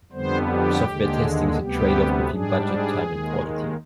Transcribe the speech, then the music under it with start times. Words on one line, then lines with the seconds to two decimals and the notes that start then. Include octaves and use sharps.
Software testing is a trade-off between budget, time and quality.
0.12 F2 D3 G3 B3 C5
0.49 G4
0.85 D#2 D3 G#3
1.57 D2 C3 G3 B3 G4
2.31 G#2 G3 D4 G#4
2.66 G#4
3.03 D#2 D#3 G#3